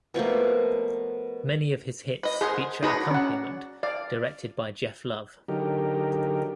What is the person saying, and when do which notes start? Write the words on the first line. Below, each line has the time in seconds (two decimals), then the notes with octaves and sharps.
Many of his hits feature accompaniment directed by Geoff Love.
0.14 B2 F3 A3 A#3
2.23 B4 D#5
2.41 G#4 A#4 C5 F#5
2.83 D4 D#4 F#4 G#4 B4 C#5
3.11 C#4 F#5
3.83 D5 F5
5.49 D3 F#3 D#4 G4 A#4